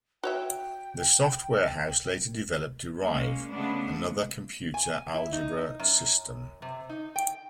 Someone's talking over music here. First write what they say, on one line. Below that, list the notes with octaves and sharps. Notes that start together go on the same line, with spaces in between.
The Soft Warehouse later developed Derive, another computer algebra system.
F#4 C#5 E5 G5
G#3 A#3 C#4
C#3 G#3 A3 B3 D4
G#5
E4
D#4
F#2
C3
D#4
G5